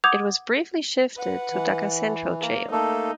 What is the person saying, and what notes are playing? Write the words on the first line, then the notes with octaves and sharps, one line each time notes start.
It was briefly shifted to Dhaka Central Jail.
F#5 D6 D#6 G6 G#6 F7
B4 F#5
E3
A#3
A3 A#3 D#4 A4